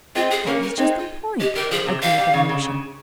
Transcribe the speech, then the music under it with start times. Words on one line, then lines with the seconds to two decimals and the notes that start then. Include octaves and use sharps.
"That is just the point," agreed the Venusian.
0.15 G#3 C4 F4
0.31 G#4
0.47 A#3 C#4 A#4
0.63 A#4
0.77 G#3 C4 D#4
0.99 F4
1.40 G#3 G4
1.56 G3 A#4
1.71 F3 G#4
1.86 C3
2.02 G3 F5
2.18 G3
2.34 C#3
2.49 C#3
2.64 C#3